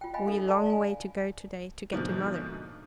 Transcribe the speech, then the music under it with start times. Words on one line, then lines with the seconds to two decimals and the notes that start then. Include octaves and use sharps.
"We long way to go to-day to get to Mother."
0.01 F4 G5
0.14 D#5 F5 G5 G#5 B5
0.28 D4 A4 F5
0.48 D5 A5 B5
0.66 F5 G#5
1.92 G#2 B2 D3 F3 A3 A#3